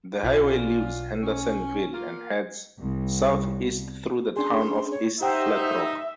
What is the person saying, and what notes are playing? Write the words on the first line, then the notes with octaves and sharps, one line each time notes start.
The highway leaves Hendersonville and heads southeast through the town of East Flat Rock.
B1 B2 C#4 D4 F4
C#4
A#3 F4
C2
C#4 D4 G#4 C6
C#5
D#4 G4 C5 E5 F#5 G5